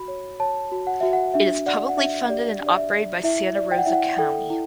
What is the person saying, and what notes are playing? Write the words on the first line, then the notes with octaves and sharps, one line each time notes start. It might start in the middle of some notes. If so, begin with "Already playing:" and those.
It is publicly funded and operated by Santa Rosa County.
Already playing: F#4 B5
C#5
C#5 A5
F#4
F#5
F#4 E5
F#5
D4 E5
D5 F#5
F#5
D4 E5
G4 D5
D4
D5
E5
D5
E4 E5
D5
G5
F#5
E4 E5
F#5
A4 G5
E4